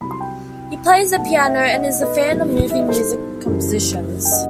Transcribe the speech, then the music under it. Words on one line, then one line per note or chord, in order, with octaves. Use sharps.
He plays the piano and is a fan of movie music compositions.
C2 C3 F#3 B5
C6
G5 B5
B1 B2 A3 F#5 A5
E5 G5
G5
D#5 F#5
B4 D#5
B1 A2 E3 G3
E5
D#5
A4 C5
F#1 F#2 E3 G3
G5
D#5 F#5